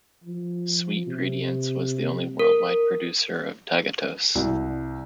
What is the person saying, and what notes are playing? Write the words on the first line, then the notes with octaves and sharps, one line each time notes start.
SweetGredients was the only worldwide producer of tagatose.
F3
C3
A#4
C2